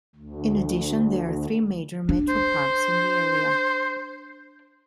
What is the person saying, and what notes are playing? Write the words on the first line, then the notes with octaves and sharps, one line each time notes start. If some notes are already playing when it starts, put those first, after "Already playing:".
In addition, there are three major metro parks in the area.
D2
D4
C5